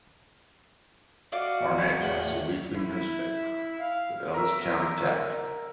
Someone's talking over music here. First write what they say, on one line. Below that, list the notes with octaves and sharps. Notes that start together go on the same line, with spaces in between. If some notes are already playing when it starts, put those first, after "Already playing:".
Arnett has a weekly newspaper, "The Ellis County Capital".
F#4 D5 D#5 F5
E2 A2 B4
E4
F5
A#4 E5